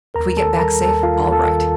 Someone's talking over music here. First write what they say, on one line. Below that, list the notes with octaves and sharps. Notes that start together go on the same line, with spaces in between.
If we get back safe--all right.
D#2 A#4 A#5
D#3 A4 A5
G3 A#4 A#5
D#2 A4 A5
D#3 F4 F5
D#2
A4 A5
D#3